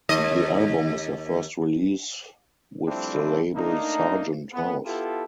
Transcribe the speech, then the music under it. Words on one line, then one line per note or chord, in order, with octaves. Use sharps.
The album is their first release with the label Sargent House.
D#2 D#5
F3 G3 A3 C4 D4 E4
A3 A#3 D4 D#4
B3
B3 E4 F4 G4 A4